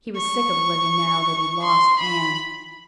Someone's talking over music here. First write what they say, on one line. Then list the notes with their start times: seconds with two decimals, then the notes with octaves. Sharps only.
He was sick of living now that he'd lost Anne.
0.17 C#6
1.62 C6
1.99 B5